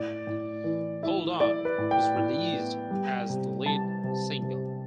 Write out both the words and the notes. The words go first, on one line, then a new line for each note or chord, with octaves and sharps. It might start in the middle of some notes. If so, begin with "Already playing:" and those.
"Hold On" was released as the lead single.
Already playing: A2 D5
A2
E3
E4
E4 D5
B4
A2
G5
A2
B3
G3
C3
G3 A5
C3
C3